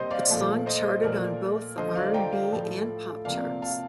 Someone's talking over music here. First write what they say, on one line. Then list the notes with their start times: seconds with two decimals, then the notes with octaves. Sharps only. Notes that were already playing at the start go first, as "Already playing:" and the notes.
The song charted on both the R and B and pop charts.
Already playing: C3 G3 A#3 C5 D#5
0.10 D5 F5
0.30 A#2 F3 A3
0.66 C5 D#5
1.03 A#2 F3 A3 A#4 D5
1.77 D3 F3 A3 C5 D#5
1.95 D5 F5
2.14 G5 A#5
2.32 D5 F5
2.52 A2 F3 A3
3.25 C3 F3 A#3 D5 F5
3.62 F5 A5